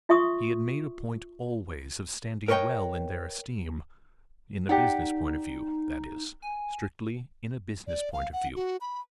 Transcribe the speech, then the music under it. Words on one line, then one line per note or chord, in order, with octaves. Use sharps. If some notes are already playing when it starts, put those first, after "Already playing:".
He had made a point always of standing well in their esteem: in a business point of view, that is; strictly in a business point of view.
F4 E5 C6 C#6 D#6
A#4 B4 C#5 D#5 G5
D#4 G4 D5 F#5
G#5
D5
F5
F#5
F#4
B5